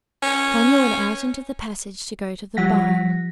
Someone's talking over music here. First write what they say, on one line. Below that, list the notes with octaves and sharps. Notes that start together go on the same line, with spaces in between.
Sonya went out into the passage to go to the barn.
C#4
F3 G3 F#5 A#6 B6